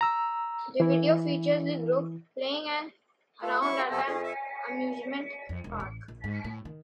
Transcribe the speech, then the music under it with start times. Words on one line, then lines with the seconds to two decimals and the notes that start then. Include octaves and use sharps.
The video features the group playing around at an amusement park.
0.01 A#5 E6
0.80 E3 E4
3.42 A3 F4 A4
3.61 F#3 E4 C#6
3.78 G4
3.91 F2 C3 B3 A4
4.07 F2 G#4
4.23 E5
5.49 F2
5.64 E1
5.80 A1
6.08 A#1
6.24 G#2
6.44 A2
6.65 D#3